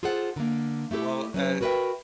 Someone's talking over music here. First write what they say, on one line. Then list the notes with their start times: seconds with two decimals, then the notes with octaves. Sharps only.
Well, a
0.03 F4 G#4 A4 C5 F#5
0.36 D3 A#3
0.91 A3 E4 G4 A4
1.34 F#3 C#4 B4 C#5
1.61 F#4 A#4 B4 D5 E5 G5